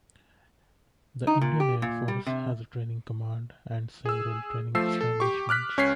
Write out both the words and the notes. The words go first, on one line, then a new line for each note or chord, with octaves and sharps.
The Indian Air Force has a Training Command and several training establishments.
D#4
A#2
G4
A#2
G3
C3
G#4 E6
F3 A3 E6 C7
A4
G4 C#6
D6 F6 F#6 B6
C#2 C#4 C#5 G#6 B6 C7